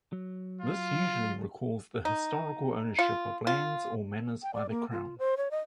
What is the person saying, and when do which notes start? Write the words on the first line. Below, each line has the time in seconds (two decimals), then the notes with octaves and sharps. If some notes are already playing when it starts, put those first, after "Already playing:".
This usually recalls the historical ownership of lands or manors by the Crown.
0.13 F#3
0.61 F4
2.05 D#4
2.99 F4
3.47 F4
4.43 G5
4.54 D5
4.70 A#3
4.92 F4
5.19 C5
5.37 C#5
5.51 D#5